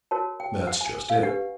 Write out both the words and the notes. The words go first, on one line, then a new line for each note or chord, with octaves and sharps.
"That's just it."
F#4 A#4 C#5 A5
G5
F#5
G#5
F5
D4 G4 B4 F#5